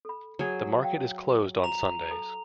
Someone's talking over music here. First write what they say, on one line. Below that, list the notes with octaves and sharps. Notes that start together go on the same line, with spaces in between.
The market is closed on Sundays.
A4 B5
F#3 G#4
F5 G5
A#5 F7
A4 A5